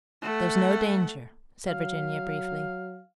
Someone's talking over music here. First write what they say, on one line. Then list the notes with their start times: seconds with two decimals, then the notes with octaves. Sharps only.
"There's no danger," said Virginia briefly.
0.22 A3 F#5
1.68 F#3 F5